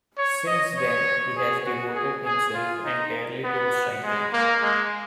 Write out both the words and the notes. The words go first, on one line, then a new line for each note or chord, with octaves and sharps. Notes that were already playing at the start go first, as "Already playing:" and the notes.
Since then, he has devoted himself entirely to his writing.
C#5
D#5
C#5
G#4
F#4
G#4
G#4
F4
D#4
B3
G#3
A#3
G#3